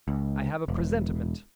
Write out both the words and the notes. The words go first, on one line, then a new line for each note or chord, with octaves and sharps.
I have a presentiment.
C#2
E1